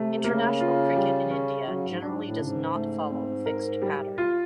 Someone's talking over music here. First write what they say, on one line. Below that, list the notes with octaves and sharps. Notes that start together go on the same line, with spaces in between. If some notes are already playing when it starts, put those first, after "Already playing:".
International cricket in India generally does not follow a fixed pattern.
Already playing: C3 A3
C#3 A#3
F4
G3
C#4
C#3 F#3
G#2
G#2 D4
A2
G#2 C#3
A3
C4
A#4
G3
F4